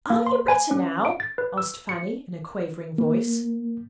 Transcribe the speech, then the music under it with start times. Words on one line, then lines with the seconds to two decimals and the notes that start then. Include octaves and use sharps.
'Are you better now?' asked Fanny, in a quavering voice.
0.10 A#3
0.27 C6
0.48 G#5
0.71 C#4
1.05 D7
1.20 A6
1.38 B4
1.58 E6
1.89 C#7
2.98 A#3